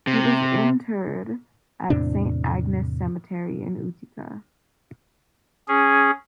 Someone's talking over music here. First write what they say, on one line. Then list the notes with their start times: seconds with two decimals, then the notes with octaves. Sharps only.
He was interred at Saint Agnes Cemetery in Utica.
0.07 C3
1.90 E2 A2 C3 D4
5.68 C#4 G#4